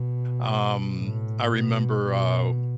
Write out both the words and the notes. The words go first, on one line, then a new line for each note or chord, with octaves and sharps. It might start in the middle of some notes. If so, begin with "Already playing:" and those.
Um, I remember, uh,
Already playing: B2
A2
B2
B2